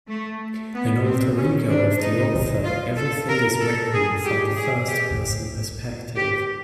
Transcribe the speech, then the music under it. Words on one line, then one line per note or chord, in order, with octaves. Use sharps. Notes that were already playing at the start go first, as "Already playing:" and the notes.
An alter ego of the author, everything is written from the first person perspective.
A3
B3
C4
C#4
D4
D#4
F4
A4
A#4
A4
G#4
G4
G#4
G4
G4